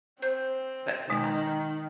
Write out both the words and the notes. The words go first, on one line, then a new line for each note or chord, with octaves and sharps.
But yeah,
C4 C5 G6
B2 D#3 G#3